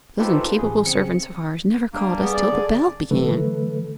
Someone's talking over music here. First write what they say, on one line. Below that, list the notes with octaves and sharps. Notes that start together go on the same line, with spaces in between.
Those incapable servants of ours never called us till the bell began.
D#4 F4 G4 A4 B4 C5
A1 G#4
C#3 C4 C#7
G3 A#3 D4
B3 G#4
D5
D3 G#4
D3 E3 F#3 A3 A4 B4